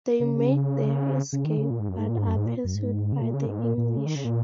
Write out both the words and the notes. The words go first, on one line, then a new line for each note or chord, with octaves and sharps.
They make their escape but are pursued by the English.
C#3
C#3
D#3
C#3
A#2
G#2
F#2
G#2
A#2
G#2
F#2
G#2
A#2
F#2
G#2
C#3
A#2
C#3
G#2
A#2
A#2
C#3
D#3
C#3
A#2